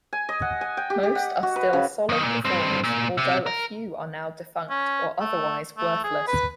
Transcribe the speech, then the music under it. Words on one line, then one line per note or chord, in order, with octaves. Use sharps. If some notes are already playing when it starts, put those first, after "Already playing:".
Most are still solid performers, although a few are now defunct or otherwise worthless.
G#5
D#5
F#5
G#5
G5
G4
G4
F#5
F#4
B4
C#3
F#2 D#3
A#2
G2 C4
A#2
C3
A#4
C#4
A3
A3
G#4
B4